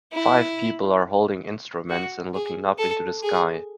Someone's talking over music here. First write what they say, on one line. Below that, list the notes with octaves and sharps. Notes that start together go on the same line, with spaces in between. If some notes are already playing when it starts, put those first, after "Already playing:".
Five people are holding instruments and looking up into the sky.
E4
F#4
G#4
A4
G#4